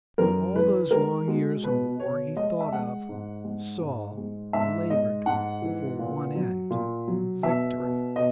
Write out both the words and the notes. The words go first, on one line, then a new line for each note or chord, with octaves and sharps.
Through all those long years of war he thought of, saw, labored for one end--VICTORY.
F#2 A#4
E3 B4
G#3 A#4
G#3 F#4
B2 B4
B2 C#5
G#3 D#5
E5
G#3 F#5
G#2
G#3
G#2
G#3
G#2 E5
G#3 D#5
G#2 F#5
E3
A#2
F#3
A#2
F#3
B2 E5
B2
B2 D#5